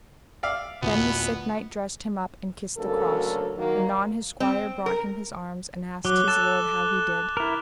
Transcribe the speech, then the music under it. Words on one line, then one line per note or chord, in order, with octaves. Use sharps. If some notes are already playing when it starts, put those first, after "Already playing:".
Then the sick knight dressed him up and kissed the cross; anon his squire brought him his arms, and asked his lord how he did.
D5 E5 F5
D1 A#1 B3
D2 C#3 F#3 A#3 A4 A#4
D#3 F#3 A#3
C4
A#4
F#3 D6 F#6 G7
A4 F#6 A6 E7
E4 A#4